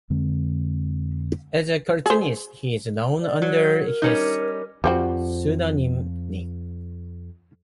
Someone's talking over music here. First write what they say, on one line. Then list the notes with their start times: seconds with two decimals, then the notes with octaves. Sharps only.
As a cartoonist he is known under his pseudonym Nick.
0.10 F2 D3 G#3 C4
2.06 G#4 C5
3.21 D5
3.42 F#3
3.84 A#4
4.02 G3 C#4 D#4
4.84 F2 F3 G3 C4 F#4